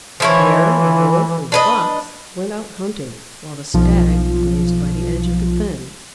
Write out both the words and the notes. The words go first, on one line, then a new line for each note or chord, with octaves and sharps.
The Bear, the Wolf, and the Fox went out hunting, while the Stag grazed by the edge of the fen.
E3 F3 E4 C#5
D4 B4 D#5
B1 F3